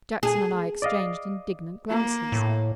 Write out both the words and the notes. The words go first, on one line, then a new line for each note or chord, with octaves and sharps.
Jackson and I exchanged indignant glances.
G#4
D5 D#5 F5
A#3
A2